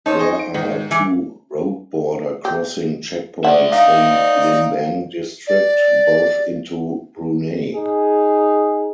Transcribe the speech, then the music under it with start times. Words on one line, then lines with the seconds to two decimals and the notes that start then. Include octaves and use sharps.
There are two road border crossing checkpoints in Limbang district, both into Brunei.
0.06 C#4 D#4 C5 C#5 A5
0.19 D#5 G#5 C#6
0.39 D7
0.54 G#2 D#3
0.91 E3
2.45 G4
3.44 D4 D5 E5 F#5
3.72 D#4 F5
5.47 D5
7.75 D#4 G#4